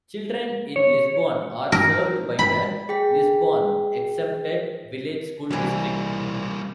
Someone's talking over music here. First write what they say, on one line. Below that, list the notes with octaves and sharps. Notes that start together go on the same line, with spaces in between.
Children in Lisbon are served by the Lisbon Exempted Village School District.
C#5
A#4
B5
G#4 G5 B6
C2 E3 G3 A#3